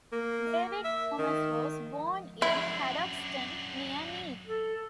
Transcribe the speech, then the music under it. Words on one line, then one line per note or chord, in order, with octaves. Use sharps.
David Thomas was born in Cadoxton, near Neath.
A#3
E5
D#3
F#2 D4 E4
A4